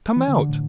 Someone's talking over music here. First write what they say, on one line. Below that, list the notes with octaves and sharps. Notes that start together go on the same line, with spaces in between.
Come out!
E3
D3
D3
A2